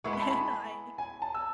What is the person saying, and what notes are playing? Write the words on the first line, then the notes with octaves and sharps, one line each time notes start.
and I
G#3 B3 E4 G#4 C#6
B5
A5
B5
G#5
A5
E6